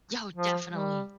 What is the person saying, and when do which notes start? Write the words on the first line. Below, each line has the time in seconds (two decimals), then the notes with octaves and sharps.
Yo, definitely.
0.36 F3
0.69 G3